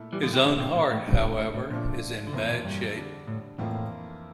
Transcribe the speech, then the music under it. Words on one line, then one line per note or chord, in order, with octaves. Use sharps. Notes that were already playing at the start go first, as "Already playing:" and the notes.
His own heart, however, is in bad shape.
Already playing: A#2 A3 E4
E3 G3
D3 F3
C3 E3
A2 D3 E3 A#3 D4
C3
A#2
A2
G2 D3 A3 C4 E4 G4
A2
A2
A2
A#2 D3 F3 A3 D4 F4
D3
F2 C3 E3 A#3 F4
A#2
G2
D3 G3 D4
A2
F2 A2 E3 A#3 F4